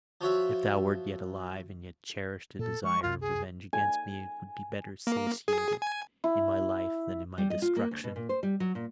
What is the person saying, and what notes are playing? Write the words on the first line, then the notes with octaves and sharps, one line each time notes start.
If thou wert yet alive and yet cherished a desire of revenge against me, it would be better satiated in my life than in my destruction.
F3 F#4 C#5 E5
A#2 A4
F3 G#3 C#6
C#2 F#2 C3 F4
G#4
G#5
A#3
G#4
G#5
E4
G3
D#5
F4
A#3
D2
B2
A#2
C5
G3
F#3
A#2